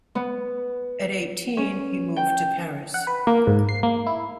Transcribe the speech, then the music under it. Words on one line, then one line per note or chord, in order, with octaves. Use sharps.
At eighteen he moved to Paris.
B3
C#4
G5
F#5
B4
A#3
G#2
C7
A#3
E4